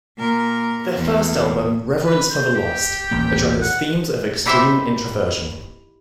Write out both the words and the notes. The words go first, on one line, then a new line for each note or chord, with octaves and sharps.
Their first album, "Reverence for the Lost", addresses themes of extreme introversion.
A#2 A#4
E2
B4
C5
G4
D#1 A1 A#3
F#5
D#4 E4 G4 C5 E5